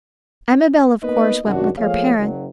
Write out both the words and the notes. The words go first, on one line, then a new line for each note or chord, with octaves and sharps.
Amabel, of course, went with her parents.
A#3 B3 D#4 B4 D#5
F#2 C3 D#3 D4 F#4
F3 A3 A#3 G#4 C#5 F5
F#1 F#3